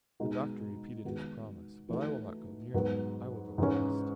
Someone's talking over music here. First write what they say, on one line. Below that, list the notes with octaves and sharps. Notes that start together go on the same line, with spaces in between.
The Doctor repeated his promise, "But I will not go near them; I will go west."
B2 G#3 D#4 F#4
D#3 G#3 B3 F#4
E3 A3 D#4 F#4
G#2 F#3 B3 F#4
G#2 E3 G#3 C#4